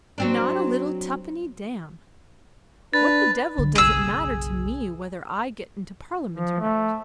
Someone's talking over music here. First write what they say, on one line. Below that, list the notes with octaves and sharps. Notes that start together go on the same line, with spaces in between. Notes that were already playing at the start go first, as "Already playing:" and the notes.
Not a little tuppenny damn. What the devil does it matter to me whether I get into Parliament or not?
F#3 C4 D4
D4 B4 A6
D3
F#1 B1 G#4 E6
F3
A3